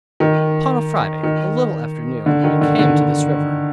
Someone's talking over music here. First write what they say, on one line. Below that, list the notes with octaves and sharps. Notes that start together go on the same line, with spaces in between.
Upon a Friday, a little after noon, we came to this river.
D#3
D#3
D3
D#3
D3
D3